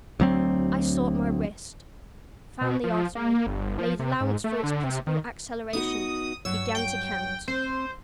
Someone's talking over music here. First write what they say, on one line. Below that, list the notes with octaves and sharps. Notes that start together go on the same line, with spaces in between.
I sought my wrist, found the artery, made allowance for its possible acceleration, began to count.
D2 F#3 C4
B2
F3
A#3
G1
F3
C3
G#2
A3
D3
C3
D#3
B3 D#4 F#4 D#6
G2 F#3 C#5 E6
G5
C4 C5